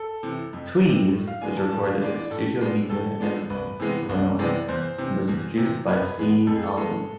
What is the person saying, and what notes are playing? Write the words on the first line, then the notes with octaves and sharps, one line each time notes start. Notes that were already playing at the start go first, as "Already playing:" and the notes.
"Tweez" was recorded at Studiomedia in Evanston, Illinois, and was produced by Steve Albini.
Already playing: A4
C3 E3
F2
C3 E3
A2
F5
E3 G#3 B3 D4 G#5
A5
A2 A5
F5
E3 G#3 B3 D4 D5
D5
A2 A4
F3 G#3 B3 D4
A2 A4
F3 G#3 B3 D4
C2 B4
C3 E3 G#3 B3
C2
C3 E3 G#3 B3 D5
E2 C5
C3 E3
E2
C3 E3
F2 B4
E3 G#3 B3
F2 A4
G#4
A4
E3 G#3 B3 A4